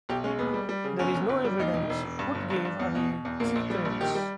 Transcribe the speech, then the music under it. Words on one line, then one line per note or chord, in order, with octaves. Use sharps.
There is no evidence Foot gave away secrets.
B1 G4
G#3 C#4
D#2 B3
G3
G3
C#3
G1 C#4
G1
G1
G3
D#2 D#4
E1
E1
E1
G2
G1
G2
G2
E2
B2
B2
E2
A#1 A#3
A#1
G3
A#1
D#3 G4
G3